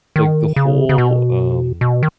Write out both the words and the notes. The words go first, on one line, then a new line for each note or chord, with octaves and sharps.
like, the whole, um
D#3
C#3
C#3
B2
B2
D#3